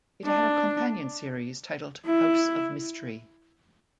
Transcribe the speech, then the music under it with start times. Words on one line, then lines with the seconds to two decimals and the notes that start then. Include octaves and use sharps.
It had a companion series titled "House of Mystery".
0.25 D4
2.06 E4